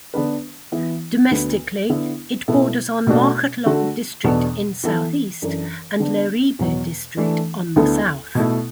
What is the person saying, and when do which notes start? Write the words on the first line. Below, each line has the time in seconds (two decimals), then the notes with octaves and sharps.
Domestically, it borders on Mokhotlong District in southeast and Leribe District on the south.
0.14 D3 B3 D4 B4
0.72 E3 B3 E4
1.31 D2 D3 B3 F#4 B4
1.90 D3 B3 E4
2.48 B2 B3 E4 A4
3.07 B2 A3 D4 F#4
3.66 D3 A3 F#4
4.24 E2 B2 B3 D4 A4
4.84 E3 B3 E4 A4
5.42 F#2 E3 D4 A4
6.00 D3 B3 D4
6.59 E2 B2 F#3
7.17 E3 A3 D4
7.76 D2 D3 B3 E4 A4
8.35 B2 A3 E4